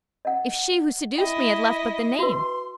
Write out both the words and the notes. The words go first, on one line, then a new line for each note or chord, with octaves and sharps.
If she who seduced me had left but the name.
D#5 F#5
E4 D#5 G5
F#4 B4 C6